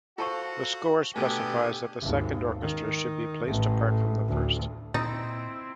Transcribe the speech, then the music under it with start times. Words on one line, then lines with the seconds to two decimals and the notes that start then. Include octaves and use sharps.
The score specifies that the second orchestra should be placed apart from the first.
0.18 F4 F#4 A4 C5 F5 A5 C#6
1.16 B2 D3 A3 B3 G4 G#5
2.01 G#1 D#2
2.62 D#3
3.47 A1 A2
4.27 D2 A2
4.94 A#2 C4 D#4 E4